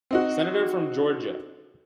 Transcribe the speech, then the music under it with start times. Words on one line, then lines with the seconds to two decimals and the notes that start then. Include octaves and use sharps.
Senator from Georgia.
0.11 C4 D#4 F#4